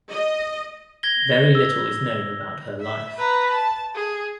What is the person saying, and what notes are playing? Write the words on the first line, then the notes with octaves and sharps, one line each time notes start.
Very little is known about her life.
D#5
G#6 A#6 G7
E6
E5
B4 A#5
A5
G#4